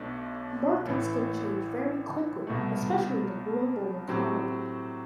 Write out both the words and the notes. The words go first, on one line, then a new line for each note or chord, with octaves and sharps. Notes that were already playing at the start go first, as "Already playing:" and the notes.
Markets can change very quickly, especially in the global economy.
Already playing: B1 B2 A3 D4
A1 A2 E3
C2 B2 A3
A2 F#3 C4 G4